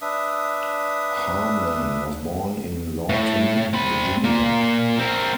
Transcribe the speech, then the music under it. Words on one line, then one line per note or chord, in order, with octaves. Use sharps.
Harman was born in Lorton, Virginia.
D4 B4 E5 D#6
A2
C4 B5
A#2 A#3
C4 A#4